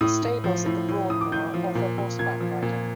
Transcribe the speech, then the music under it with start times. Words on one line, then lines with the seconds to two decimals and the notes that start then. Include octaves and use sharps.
The Stables at the Broadmoor offer horseback riding.
0.01 A2 D#6
0.23 A2
0.44 F3
0.66 A2
0.88 A2
1.10 A2 D#6
1.21 D6
1.32 A2 G6
1.54 F3
1.75 A#2
1.98 A#2
2.19 A#2 G#6
2.40 F3
2.62 A#2